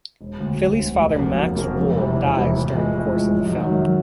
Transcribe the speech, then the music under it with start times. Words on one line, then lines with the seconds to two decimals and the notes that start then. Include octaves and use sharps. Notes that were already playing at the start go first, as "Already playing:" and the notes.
Philly's father, Max Wohl, dies during the course of the film.
0.21 E1
0.40 D2 D3
0.60 E1
0.79 D2 D3
0.98 F1
1.18 F2 C#3 F#3 A#3
1.38 F1
1.56 F2 C#3 F#3 A#3
1.77 E1
1.96 E2 C3 E3 G3
2.16 E1
2.35 E2 C3 E3 G3
2.54 A2
2.74 F3 G#3
2.94 A2
3.13 F3 G#3
3.33 F#2
3.52 D#3 F#3
3.72 F#2